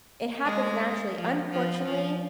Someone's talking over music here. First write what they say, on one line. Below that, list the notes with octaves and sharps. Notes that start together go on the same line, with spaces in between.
It happens naturally. Unfortunately,
G#3
F3
F3
F3